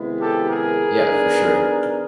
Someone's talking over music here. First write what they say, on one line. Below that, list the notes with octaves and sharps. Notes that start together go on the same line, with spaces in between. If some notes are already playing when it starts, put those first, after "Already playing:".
Yeah, for sure.
Already playing: C3 D#3 G#3 B3 E4
G4 A4
G#4 A#4
D#3 G3 B3 D4